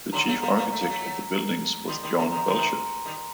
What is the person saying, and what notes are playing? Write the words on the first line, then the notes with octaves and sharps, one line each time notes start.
The chief architect of the buildings was John Belcher.
D3 F#3 A#5
F#3 A3
G3 A#3 A#5
G3 A#3
A3
A#3
F#3 A3
D#3 G3 C6
D#3 G3 C6
D3 F#3 A#5
C3 D#3 A#5
C3 D#3 C6
D#3 G3